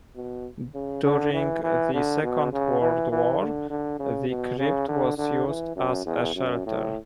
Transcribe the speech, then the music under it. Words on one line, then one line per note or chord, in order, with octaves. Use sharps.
During the Second World War, the crypt was used as a shelter.
B2
C#3
D3
E3
E3
D3
B2
C#3
E3
E3
D3
D3
C#3
B2
C#3
D3
D3
E3
F#2
E2
F#2
A2